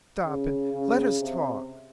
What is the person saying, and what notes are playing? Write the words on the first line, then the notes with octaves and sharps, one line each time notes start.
"Stop, and let us talk."
C#3
C#3
C3